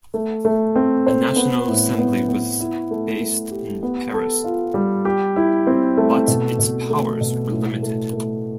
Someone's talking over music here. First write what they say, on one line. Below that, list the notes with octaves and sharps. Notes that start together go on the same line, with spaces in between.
A National Assembly was based in Paris, but its powers were limited.
A3
A3
C4
C5
B3
A2
B3
B3
E4
A3
A3
G4
B3
A4
F4
G3
G4
E4
C4
A3
B2
B2
A3
B2
A2
A3
A3